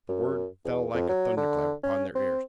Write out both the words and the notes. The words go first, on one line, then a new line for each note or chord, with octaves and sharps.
The word fell like a thunderclap upon their ears.
F#2
E2
F2
F#3
D3
C#4
C4